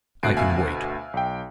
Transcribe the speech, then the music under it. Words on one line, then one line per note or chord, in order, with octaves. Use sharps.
I can wait.
D2 B2 F#6 C7 D7
E5 F5 G#5
B1 G5